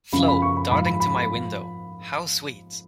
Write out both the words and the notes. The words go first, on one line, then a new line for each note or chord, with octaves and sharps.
Flo, darting to my window, — 'How sweet!
F#2 C#3 F3 B5
B5
C#6
B5
G#2 F3 B5
B5
B5
B5
F3